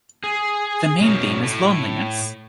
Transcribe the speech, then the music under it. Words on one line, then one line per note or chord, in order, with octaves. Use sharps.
The main theme is loneliness.
G#4
B2 F#3 C#4
A2